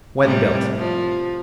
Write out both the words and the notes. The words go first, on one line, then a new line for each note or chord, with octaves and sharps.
When built?
A2 C3 G3
F3